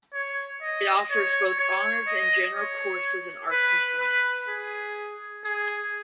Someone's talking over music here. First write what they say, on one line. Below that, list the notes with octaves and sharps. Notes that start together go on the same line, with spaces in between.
It offers both honours and general courses in arts and science.
C#5
D#5
C#5
C#5
D#5
C#5
B4
B4
G#4
G#4